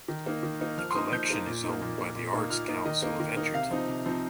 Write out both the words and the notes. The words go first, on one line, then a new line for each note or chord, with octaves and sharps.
The collection is owned by the Arts Council of Edgerton.
D#3
A#3 D#4
D#3
A#3 D#4
F3 F6
C6
A#3 D#4 D#6
F3 G6
A#3 D#4
A#2
D#4
A#3
A#2
A#3 D#4
A#2
A#3 D#4
A#2 F6
A#3 D#4
D#3 D#5
A#3 D#4
D#3
A#3 D#4
C3 F5
F3 C4 D#4
C3
F3 C4 D#4